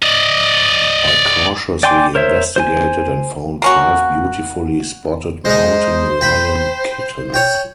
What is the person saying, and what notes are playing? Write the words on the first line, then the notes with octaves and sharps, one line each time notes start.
I cautiously investigated and found five beautifully spotted mountain lion kittens.
D5 D#5
D5 G5 G#5 C6 D6
A#4 C5 C#5 E5
C5 G#5
A#3 C#4 F#4
G#3 D#4 C5
G5 B5
C#5 G5